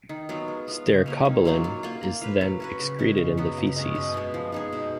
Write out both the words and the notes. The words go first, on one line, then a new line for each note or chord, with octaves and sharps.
Stercobilin is then excreted in the feces.
D#3
F#3 B3 F4
G#3
B3 F4
C#3
F#3 A#3 C#4
D#3
F#3 A#3 F4
F#3
A#3 F4
A#3
F4 B4
F#3
C#4 F#4 B4
C#3
G#3 C#4 F#4
C#3
F#3 B3 F#4
C#3
G#3 C#4
B2
G#3 B3
F3
G#3 D#4 G#4
B2